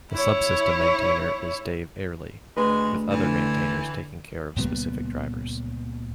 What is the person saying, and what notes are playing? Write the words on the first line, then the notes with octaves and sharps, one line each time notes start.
The subsystem maintainer is Dave Airlie, with other maintainers taking care of specific drivers.
E4 C#5
D2 G#3 B4
D3 E3
C#2 A#2 G3 B3